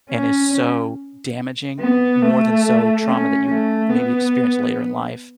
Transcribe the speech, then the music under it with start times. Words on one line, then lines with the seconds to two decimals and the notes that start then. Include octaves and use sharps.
and is so damaging, w more than so trauma that you maybe experience later in life,
0.11 C#4
1.80 B3
2.22 A3
3.05 C#4
3.48 A3
3.90 B3